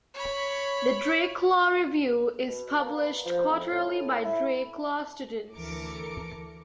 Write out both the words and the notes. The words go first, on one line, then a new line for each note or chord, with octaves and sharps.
The "Drake Law Review" is published quarterly by Drake Law students.
C#5 B5
B2
A#3
B3
F3
F2
A2
E4
D2 E3 A4 A#4 D6 C#7